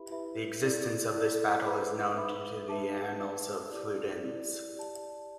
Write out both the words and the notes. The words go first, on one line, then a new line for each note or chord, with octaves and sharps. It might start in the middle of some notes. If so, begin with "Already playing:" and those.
The existence of this battle is known due to the Annales Fuldenses.
Already playing: E4 G4 B4 E5 B5
E4 G4 B4 E5 B5
E4 A4 D5
E4 A4 D5
B4 E5 B5 D6
B4 E5 B5 D6
B4 E5 A5 D6
B4 E5 A5 D6
E4 G4 D5
E4 G4 D5
G4 D5 A5